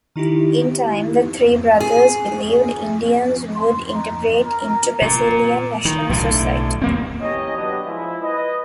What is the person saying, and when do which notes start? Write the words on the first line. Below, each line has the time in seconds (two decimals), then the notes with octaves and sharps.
In time, the three brothers believed, Indians would integrate into Brazilian national society.
0.16 D#3 D#4 E4 G4
1.80 G#4
3.56 C6
3.93 D#4
4.46 A#4
5.02 A#2
5.85 D#3
6.09 B1 A2 D3
6.82 D#2 A#3 C4
7.20 E3 C#4 D#4 G4 C#5 D#5
7.55 F#3 B3 D4 G4 D#5
7.86 F3 G#3 E4
8.22 B4 D#5